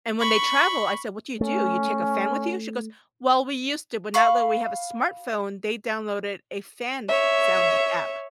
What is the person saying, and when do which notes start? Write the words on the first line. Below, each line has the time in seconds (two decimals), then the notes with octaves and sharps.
And, when they travel, I said, "What do you do, you take a fan with you?" She goes, "Well, we used to, but now that we have a smartphone," they downloaded a fan sounding app.
0.20 B5 C#6
1.41 A3 C#4
4.14 F5 B5 C#6
7.08 C#5 E5